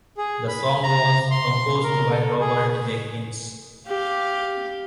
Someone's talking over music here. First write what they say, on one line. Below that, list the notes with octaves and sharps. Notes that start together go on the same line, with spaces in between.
The song was composed by Robert Jenkins.
G#4
B5
A#5
C6
A#4
A4
G#4
G4 F5